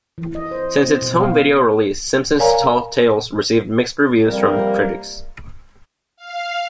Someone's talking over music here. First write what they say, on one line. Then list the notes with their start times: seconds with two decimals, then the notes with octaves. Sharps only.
Since its home video release, "Simpsons Tall Tales" received mixed reviews from critics.
0.18 E3
0.35 D#5
0.51 C5
0.83 C4
1.02 B2
1.20 F5
2.39 A#4 C#5 D5 F5 G#5 A#5
4.26 F2 C3 G3 A#3 A#4
6.17 F5